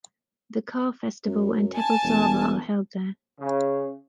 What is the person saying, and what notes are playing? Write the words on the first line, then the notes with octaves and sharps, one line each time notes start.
The car festival and 'Teppotsava' are held there.
F#2
G#5 A5
E1
C#3